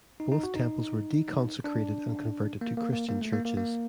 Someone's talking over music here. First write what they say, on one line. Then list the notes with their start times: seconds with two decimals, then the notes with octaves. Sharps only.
Both temples were deconsecrated and converted to Christian churches.
0.20 D#4
0.32 D#4
0.43 F#4
0.56 D#4
1.64 D4
2.61 A#3
2.77 A#3
2.93 A#3
3.08 A#3
3.22 A3
3.33 A#3
3.45 A#3
3.57 A#3